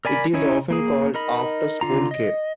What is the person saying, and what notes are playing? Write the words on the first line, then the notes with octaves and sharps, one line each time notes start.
It is often called After School Care.
A#4 D5 G#5 B5
C#4 D#4 E4 C#5 G#5
A#3 G#4
D#4 A#4 D#5 B5
D3 F4 A#5
D#5